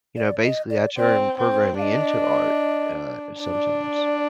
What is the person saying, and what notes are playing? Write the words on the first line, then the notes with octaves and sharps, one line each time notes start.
you know, basically, I turn programming into art, uh, sometimes.
D5
D#5
D5
C4 D5
C4
C5
D4 D#5 F5
D4 D5